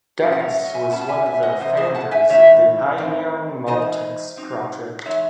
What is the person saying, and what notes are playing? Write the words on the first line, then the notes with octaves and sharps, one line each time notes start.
Dennis was one of the founders of the pioneering Multics project.
A2 F#3 C#4 E4
F#5
C#5 E5
D#5 F#5
E5 G#5
A2 G#3 C#4 E4 F#5 A5
A5
E5 G#5
E5 G#5
D#5 F#5
C3 E3 A3 C5 D#5
G#4 C5
F#5 A5
E5 G#5
A2 E3 A3 D#4 C#5 E5
A2 E3 C4 D#4
E3 G#3 D#4 C5 D#5
F#3 C4 D#4
E3 G#3 D#4 C#5 E5